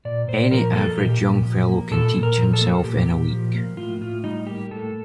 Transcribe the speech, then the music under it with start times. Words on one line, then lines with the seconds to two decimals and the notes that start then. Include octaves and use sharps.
Any average young fellow can teach himself in a week.
0.05 A#2 D5
0.28 A#2 C5
0.51 F3 A#4
0.74 A#3 A4
0.98 A#2 G4
1.21 A#2
1.45 F3
1.69 A#3
1.91 A#2 A4
2.15 A#2
2.23 A#4
2.38 F3
2.53 A4
2.61 A#3
2.84 A#2 G4
3.08 A#2
3.30 F3
3.55 A#3
3.77 A2 F4
4.01 A2 F4
4.24 G3 D#4
4.47 A#3 G4
4.71 A2 A4